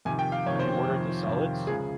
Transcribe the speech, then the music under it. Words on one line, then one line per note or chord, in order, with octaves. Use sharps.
Have you ordered the solids?
F2 C3 D#3 G#5
G5
F5
F2 C3 D#3 C#5
C5
F2 C3 D#3
F2 C3 D#3
C#2 C#3 F3 G#4